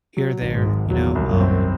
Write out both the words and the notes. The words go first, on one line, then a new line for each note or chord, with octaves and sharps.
here or there, you know, um,
F#3
G#1
G#2
G#1
E2 F#3
C2
F#2
C4